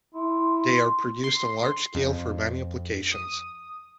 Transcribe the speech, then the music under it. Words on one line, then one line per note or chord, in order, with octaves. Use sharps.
They are produced on a large scale for many applications.
E4 C6
C6
F2
D#6